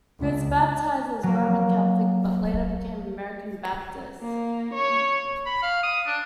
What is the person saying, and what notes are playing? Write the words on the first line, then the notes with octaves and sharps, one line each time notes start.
He was baptized as a Roman Catholic, but later became an American Baptist.
C#2
F#3 A#3
A#3
C#5
B5
F5
D#6
D4